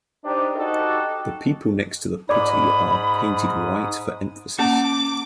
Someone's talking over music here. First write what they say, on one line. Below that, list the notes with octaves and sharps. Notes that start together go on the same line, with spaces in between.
The people next to the putti are painted white for emphasis.
D4 D#4 G4 C5 D5
D#4 F#4 G4 A4 D#5
G#2 D5 B5 D6 D#6
A#3 C#4 A5 D6